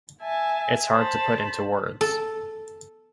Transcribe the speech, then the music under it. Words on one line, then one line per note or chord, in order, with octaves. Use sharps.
It's hard to put into words.
E5 G#5 A5
C5 A5 B5
A4